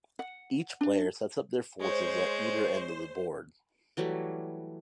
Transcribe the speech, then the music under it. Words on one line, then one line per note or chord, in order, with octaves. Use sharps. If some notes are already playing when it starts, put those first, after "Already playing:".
Each player sets up their forces at either end of the board.
F#5
D4
G#3 C5 C#5
E3 F#3 G3 A3